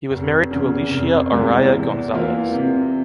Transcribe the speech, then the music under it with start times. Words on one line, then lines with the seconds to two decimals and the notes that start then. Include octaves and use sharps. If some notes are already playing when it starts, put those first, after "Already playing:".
He was married to "Alicia Araya González".
0.10 F1
0.51 E2 C#3
0.91 F1
1.32 E2 C3 E3 G#3
1.72 E2
2.13 E3 A#3 F4
2.53 C3